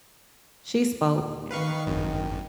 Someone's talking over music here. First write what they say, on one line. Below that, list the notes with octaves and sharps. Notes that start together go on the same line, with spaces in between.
she spoke and
D#2 A#2
D#3 B4 F5 C#6
G#1 F#2